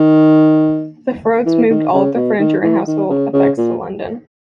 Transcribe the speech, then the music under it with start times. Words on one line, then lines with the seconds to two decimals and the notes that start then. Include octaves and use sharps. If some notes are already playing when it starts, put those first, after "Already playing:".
The Freuds moved all their furniture and household effects to London.
Already playing: D#3
1.46 E3
1.70 D#3
1.93 C#3
2.16 B2
2.39 D#3
2.63 E3
2.87 D#3
3.10 C#3
3.33 C#3
3.57 A#2